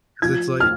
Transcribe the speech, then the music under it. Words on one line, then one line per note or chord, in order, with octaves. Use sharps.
'Cause it's, like
F3 G#6
F6